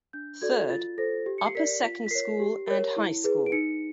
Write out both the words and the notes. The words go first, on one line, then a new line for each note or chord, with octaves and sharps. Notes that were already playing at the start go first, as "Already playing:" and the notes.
Third: upper second school and high school.
D4 G6
F#4 A4 D5 G#6
F4 A6
A4 C5 A#6
G4
C#7
C7
A#4 D5 B6
F4 B6
B6
A#4 C#5 C7
G4
A#4 C#5
E4
G#4 B4
D7
D#4 C#7